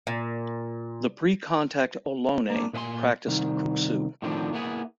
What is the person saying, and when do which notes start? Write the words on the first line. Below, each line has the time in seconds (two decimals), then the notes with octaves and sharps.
The pre-contact Ohlone practiced "Kuksu".
0.07 A#2
2.50 A#3 D4
2.73 A#2 B4 D#5 G#5 C6
3.27 C2 D#3
4.22 A2 D3 D#3 F3 C4 D4
4.53 A#3 B3 E4 G#4